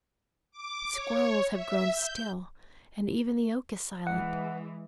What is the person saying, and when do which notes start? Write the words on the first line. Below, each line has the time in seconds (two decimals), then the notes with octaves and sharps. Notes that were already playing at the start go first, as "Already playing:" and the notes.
The squirrels have grown still, and even the oak is silent.
0.51 D6
0.92 C#5
1.50 E5
1.92 G6
4.07 E3 G#3 F#5